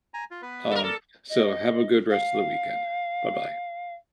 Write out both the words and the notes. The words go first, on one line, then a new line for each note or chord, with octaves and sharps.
Um, so have a good rest of the weekend. Bye-bye.
G#5 A#5
F4
B3 B4
A4 A#4
A4 A#4 D5
D#5
F5